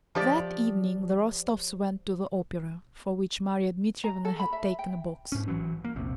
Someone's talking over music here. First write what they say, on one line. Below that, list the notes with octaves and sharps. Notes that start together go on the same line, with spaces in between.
That evening the Rostovs went to the Opera, for which Marya Dmitrievna had taken a box.
F3 G4 D5
A#5
A4
B5
E5
G5
G#2 C#4
A1 E3 F#3
A#3
E1 A#1 C3